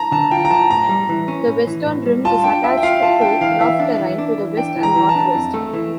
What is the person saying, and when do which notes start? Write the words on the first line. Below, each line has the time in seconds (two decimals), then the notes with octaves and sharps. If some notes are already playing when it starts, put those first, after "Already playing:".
The western rim is attached to rough terrain to the west and northwest.
Already playing: A5 A#5
0.12 D3 A5
0.31 F4 G5
0.45 A#5
0.51 F3 A5
0.71 A2 A#5
0.89 G3
1.09 E3
1.28 C#4
1.47 A2
1.67 E3
1.86 A2
2.06 G3
2.25 F4 A5
2.44 D4 G5
2.63 F4 E5
2.77 G5
2.83 F4 F5
3.03 F4 A5
3.21 D4 G5
3.41 E3 F5
3.60 E3 E5
3.80 D4
3.99 E3
4.18 D4
4.38 E3
4.57 D4 G5
4.76 E3
4.83 A#5
4.96 E3
5.09 A5
5.15 D4
5.35 F2
5.54 A3
5.73 E3